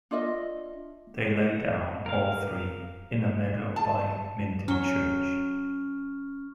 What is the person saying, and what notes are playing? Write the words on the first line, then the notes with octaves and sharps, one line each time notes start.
They lay down, all three, in a meadow by Minton Church.
D4 F4 D#5 E5
A#4 F5
A5
F#3 C#4 C#6 F6